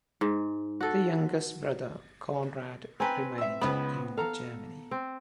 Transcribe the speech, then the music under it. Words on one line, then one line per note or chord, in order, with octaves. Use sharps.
The youngest brother, Konrad, remained in Germany.
G#2
F#4 A4
C4 B4 G5 G#5 A#5
E5 E6
C#2 B3 C5 B5
A4 F5 A#5
C4